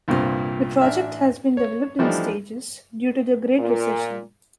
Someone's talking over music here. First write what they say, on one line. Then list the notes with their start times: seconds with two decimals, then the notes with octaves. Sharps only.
The project has been developed in stages due to the Great Recession.
0.08 C2 G2 A#2 C4 F4
0.81 A1 D4 E5 F6
1.57 C#5
1.99 E3 F3 G3 A3 D4 D#4
3.59 A#2